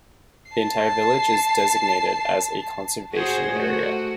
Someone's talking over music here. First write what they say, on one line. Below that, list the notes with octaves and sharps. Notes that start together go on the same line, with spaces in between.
The entire village is designated as a conservation area.
A5 C7
F#4 G#4 C5
A3 F#4